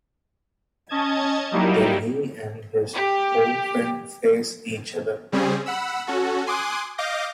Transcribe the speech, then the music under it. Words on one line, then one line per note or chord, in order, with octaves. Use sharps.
Then he and his old friend face each other.
C#4 D#5 A5 G#6
F#3 G3 A#3 D#4 E4 G4
G4
C#3 G3 C4 C#4 G#4
F#5 B5 E6
C#4 F#4 A4
G#5 C6 D6 D#6 F#6
D#5 F5 D6 G6 A#6